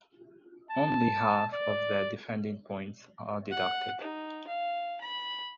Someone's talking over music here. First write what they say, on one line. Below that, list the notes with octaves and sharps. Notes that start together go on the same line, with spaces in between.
Only half of their defending points are deducted.
A5
D5
F#5
D#4
F5
B5